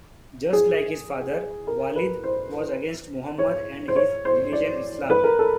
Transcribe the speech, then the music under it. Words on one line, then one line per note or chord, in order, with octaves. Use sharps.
Just like his father, Walid was against Muhammad and his religion Islam.
G#4
A#4
B4
C5
C#5
C5
C#5
C5
D5
B4
A#4
A4